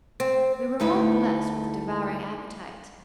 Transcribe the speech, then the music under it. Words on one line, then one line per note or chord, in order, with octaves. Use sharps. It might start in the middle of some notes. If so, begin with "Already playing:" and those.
We were all blessed with a devouring appetite.
C4
D2 A3 D#4 E4 B4